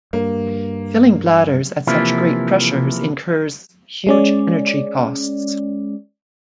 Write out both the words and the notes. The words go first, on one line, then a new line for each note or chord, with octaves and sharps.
Filling bladders at such great pressures incurs huge energy costs.
G2 A#3
C3 E3 F3 A#3 E4 F4
G#3 C#4 D5